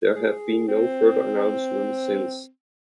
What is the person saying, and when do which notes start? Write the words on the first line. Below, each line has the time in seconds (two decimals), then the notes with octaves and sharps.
There have been no further announcements since.
0.16 G#4
0.68 C4